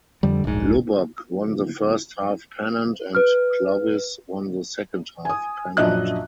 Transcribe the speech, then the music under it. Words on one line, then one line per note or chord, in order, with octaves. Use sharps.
Lubbock won the first half pennant and Clovis won the second half pennant.
F2 D3 G3
D1 A#1 G#2
B4 F6
G#5 D#6
A#1 F#2 D4 D#5 E5 F#6